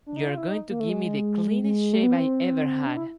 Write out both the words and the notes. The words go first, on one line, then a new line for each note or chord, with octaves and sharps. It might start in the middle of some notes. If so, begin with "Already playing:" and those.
You're going to give me the cleanest shave I ever had.
D4
D#4
F4
E4
D#4
A#3
A3
G#3
G#3
A3
B3
C4
D4
E4